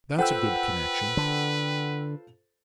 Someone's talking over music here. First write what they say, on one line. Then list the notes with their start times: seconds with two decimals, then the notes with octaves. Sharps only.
'That's a good connexion!
0.19 F4 A4 B4 C5 F#5 G5 E6
1.17 D3